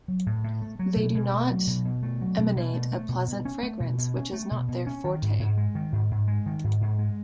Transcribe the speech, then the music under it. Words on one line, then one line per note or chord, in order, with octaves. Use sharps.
They do not emanate a pleasant fragrance, which is not their forte.
F#3
A2
A2
A3
F#3
B2
B2
A3
F#3
B2
B2
A3
F#3
B2
B2
A3
A3
B2
B2
C#4
A3
B2
B2
C#4
A3
B2
B2
C#4
D#3
G#2
G#2
G#3
D#3
G#2
G#2
G#3
D#3
G#2
G#2
G#3